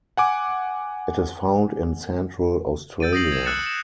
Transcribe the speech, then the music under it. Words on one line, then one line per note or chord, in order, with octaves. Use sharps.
It is found in central Australia.
F#5 G#5 D6
E6 G6 A6 D7 D#7
D#6 G6 A#6 C7 F#7
G#6 E7
E6 F#6 A6 C#7 D#7 E7
A6 E7